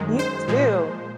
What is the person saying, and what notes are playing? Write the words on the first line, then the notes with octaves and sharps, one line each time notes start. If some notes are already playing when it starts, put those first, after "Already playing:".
You too.
Already playing: F#2 D#3 G#3
C5
A#2 F3 G#3